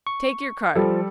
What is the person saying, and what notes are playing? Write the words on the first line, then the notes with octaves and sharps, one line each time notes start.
Take your cards.
C#6
F3 G3 A4